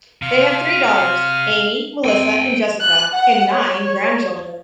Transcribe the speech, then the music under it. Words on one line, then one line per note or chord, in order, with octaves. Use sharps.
They have three daughters, Amy, Melissa and Jessica and nine grandchildren.
C3 F5 F6
C4 G5 G#5
F#6
F#5
C#5